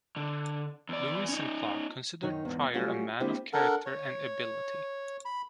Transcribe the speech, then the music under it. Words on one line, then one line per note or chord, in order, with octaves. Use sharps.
Lewis and Clark considered Pryor a man of character and ability.
D3
E2 D5
C#4 D#4
F#2 D#3 D#4 C#5
E2 G#2
F#3 G3 A3 C#4 F4 F#4
G#3 A#3 C4 D4 E4 G4
D4 A4 A#4 F#5
C#5
B5